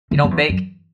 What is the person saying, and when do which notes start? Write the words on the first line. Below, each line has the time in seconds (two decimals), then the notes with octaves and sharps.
You don't bake?
0.11 D3
0.24 F#2
0.31 E2
0.49 F#2